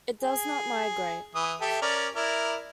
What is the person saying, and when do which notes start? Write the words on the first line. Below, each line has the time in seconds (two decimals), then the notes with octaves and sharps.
It does not migrate.
0.21 G#4
1.35 E3 D#6
1.61 G4 A4 E5
1.82 C#4 A#4 D5
2.15 E4 A#4 D5